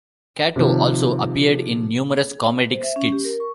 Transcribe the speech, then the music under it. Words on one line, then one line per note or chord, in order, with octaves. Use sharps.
Kato also appeared in numerous comedic skits.
C3 D#3 F3
C5
E5
C#4
G4
A#4
C#6